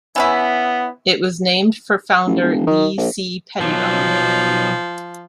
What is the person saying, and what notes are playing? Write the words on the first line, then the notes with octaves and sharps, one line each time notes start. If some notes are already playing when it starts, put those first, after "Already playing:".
It was named for founder Lee C. Pettibone.
E3 B3 C#4 E4
A1
E1
D#3
A#1
B1 F3 F#3